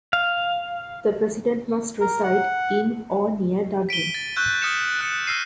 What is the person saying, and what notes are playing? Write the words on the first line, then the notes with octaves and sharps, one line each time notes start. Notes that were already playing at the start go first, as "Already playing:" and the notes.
The president must reside in or near Dublin.
F5
A#4
F#5
B6 D7 D#7 G7
A6
C#6 E6 F#6 G6 G7
D#6 F6 A6 B6 C#7 E7
D#6 F#6 C#7
E6 F6 A#6 C7 D#7